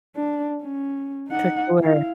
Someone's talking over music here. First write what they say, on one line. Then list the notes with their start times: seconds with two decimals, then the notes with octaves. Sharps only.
For sure.
0.16 D4
0.63 C#4
1.29 D#4 F#5
1.81 E4 F5